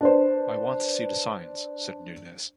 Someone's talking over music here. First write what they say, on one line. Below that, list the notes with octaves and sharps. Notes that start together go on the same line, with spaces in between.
"I want to see the signs", said Nunez.
D4 B4 C5